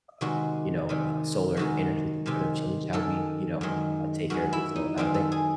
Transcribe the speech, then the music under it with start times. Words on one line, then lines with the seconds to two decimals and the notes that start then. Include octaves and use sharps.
uh, you know, uh, solar energy can sort of change how we, you know, uh, take care of it so, uh, thank you.
0.21 C3 D#3 G#3 F#4
0.89 C3 D#3 G#3
1.57 C3 D#3 G#3 F#4
2.26 C3 D#3 G#3
2.93 F#2 D#3 G#3 A4
3.61 F#2 D#3 G#3
4.30 F#2 D#3 G#3 F#4
4.53 E4
4.76 D#4
4.97 F#2 D#3 G#3 C4
5.14 A4
5.32 G#4